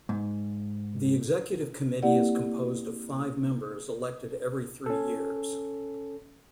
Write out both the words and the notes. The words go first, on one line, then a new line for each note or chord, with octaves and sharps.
The executive committee is composed of five members elected every three years.
G#2
A#3 C4 E4 G4 D5 F#5
C#4 A4